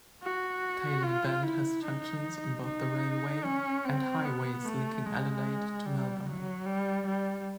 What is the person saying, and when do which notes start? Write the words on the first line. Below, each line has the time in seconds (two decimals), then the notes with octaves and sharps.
Tailem Bend has junctions on both the railway and highways linking Adelaide to Melbourne.
0.23 F#4
1.03 F4
1.43 E4
1.84 D#4
2.64 D#4
3.45 C#4
3.85 C4
4.25 B3
4.65 A3
5.06 G#3
5.86 G3
6.26 F#3
6.67 G3
7.07 G3